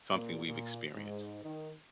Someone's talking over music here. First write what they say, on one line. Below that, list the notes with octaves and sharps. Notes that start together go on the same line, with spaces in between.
something we've experienced.
A#2
A#2
G#2
D#3